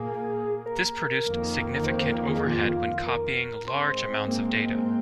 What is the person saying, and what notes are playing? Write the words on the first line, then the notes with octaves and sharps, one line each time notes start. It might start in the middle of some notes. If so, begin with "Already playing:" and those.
This produced significant overhead when copying large amounts of data.
Already playing: A#2 A#3 G#4
A#4
F2 D#3 A#3
A#4
C5
C5
A#4
G#4
F4
A#4
G#2 G#3 C4 C5
A#3